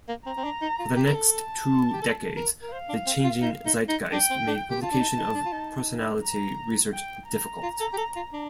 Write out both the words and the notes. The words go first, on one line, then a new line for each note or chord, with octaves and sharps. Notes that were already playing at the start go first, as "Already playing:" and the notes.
For the next two decades, the changing zeitgeist made publication of personality research difficult.
A#3
C4 A#5
C4
D4
D#4
F4
G4
A#4
A4
A5
G4
A4
A#4
A#4
C5 F5
D4
C4
F4
D#4
D#4
D#4
D4 G5
C4
D4
G4
F4 A5
D4
D#4
D#4
D4
F4
D#4
A#5
G5
A#5
F4
A4
G4
A4
F4
D4